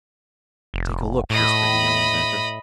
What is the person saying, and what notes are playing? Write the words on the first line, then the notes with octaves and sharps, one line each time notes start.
"Take a look," whispered the young inventor.
F1
A2 D#5 B5